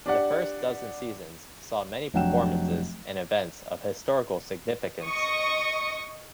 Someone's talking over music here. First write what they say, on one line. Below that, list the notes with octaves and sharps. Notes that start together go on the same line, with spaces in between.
The first dozen seasons saw many performances and events of historical significance.
D4 G4 D5 F#5
F1 F#3 D4 F#5 G5 E7
D#5 C#6 D#6